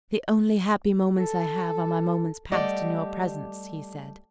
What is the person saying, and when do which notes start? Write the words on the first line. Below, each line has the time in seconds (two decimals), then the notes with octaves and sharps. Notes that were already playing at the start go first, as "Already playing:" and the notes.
"The only happy moments I have are my moments passed in your presence," he said.
1.17 A4
2.52 G3 A3 G4 D5 D#5 F#5